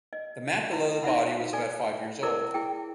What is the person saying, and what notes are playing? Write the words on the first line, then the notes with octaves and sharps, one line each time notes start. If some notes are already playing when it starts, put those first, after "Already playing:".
The mat below the body was about five years old.
D#5
E4 B5
D#4 C5 E5 F#5 B5
A4 D5 G#5
E4 A4 A#4 D5 D6
E4 G#4 G5